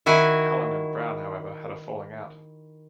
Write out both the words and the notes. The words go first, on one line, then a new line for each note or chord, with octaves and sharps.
Cullen and Brown, however, had a falling out.
D#3 E4 F#4 G#5